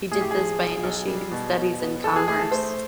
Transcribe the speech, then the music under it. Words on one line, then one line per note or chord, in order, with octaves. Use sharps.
He did this by initiating studies in commerce.
A2 G#4
G4
F3 G#4
B1
B1
G3
B2
B2
B3
F2 A4
G#4
A3 G#4
A4
A3 C5